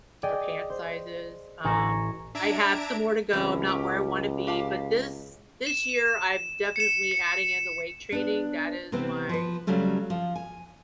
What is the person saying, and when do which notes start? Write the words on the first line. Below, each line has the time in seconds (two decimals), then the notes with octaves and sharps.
or pant sizes. Um, I have some more to go. I'm not where I wanna be. But this this year, I'm definitely adding in the weight training. That is my,
0.23 G#4 D5 D#5 G5
0.70 C5
1.64 A1 G#5 A#5 C#6 A#6 E7
2.35 D4 E5 A5 A#5 G#6 D7
3.33 C#2 E3 C4 C#4
3.67 C#4 G4
4.47 G4 F5 A5
5.67 E7
6.76 C#7 E7
7.11 C#7
8.12 B3 D4
8.92 C3 E3 B3 C4
9.29 F3 B4
9.67 C#3 F#3 G3 A3 C#4
10.10 F3
10.35 G#5